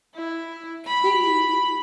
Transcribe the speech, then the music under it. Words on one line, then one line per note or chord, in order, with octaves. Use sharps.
He need
E4
B5